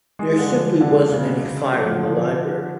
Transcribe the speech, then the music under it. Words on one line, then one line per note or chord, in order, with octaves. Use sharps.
There simply wasn't any fire in the library.
G#3
D3
F3
D3
D3
C#3
B2
C#3
F#3
F3
D3
F3